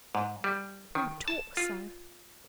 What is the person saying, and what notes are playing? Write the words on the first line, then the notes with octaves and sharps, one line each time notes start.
Don't talk so.'
G#2
G3
D#3
A5
F4